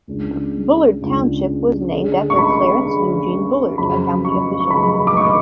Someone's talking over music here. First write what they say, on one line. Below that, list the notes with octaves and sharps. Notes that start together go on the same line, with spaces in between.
Bullard Township was named after Clarence Eugene Bullard, a county official.
C#2 C#3 G#3 D4
C#2 C#3 G#3 D4
D3 G#3 C#4 G#4
C#6
B5
D3 G#3 C#4 G#4
F2 C#3 F#3 C#4 G#4 B5
C#6
C#6
F2 C#3 F#3 C#4 G#4 B5
D6
C#6